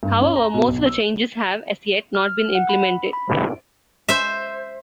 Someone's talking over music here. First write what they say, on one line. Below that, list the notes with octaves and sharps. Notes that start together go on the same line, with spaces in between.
However, most of the changes have, as yet, not been implemented.
G2
C#4
A#5
B2
B1
E6
F6
F#5
B5
B5
C5 E5